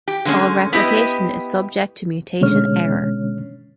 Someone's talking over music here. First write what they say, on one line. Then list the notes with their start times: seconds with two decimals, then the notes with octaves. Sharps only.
All replication is subject to mutation error.
0.08 G4
0.25 D3 G#3 C#4
0.73 B3 E4 G4 D#5
2.41 B2 D3 G#3 C#4 C#5 F6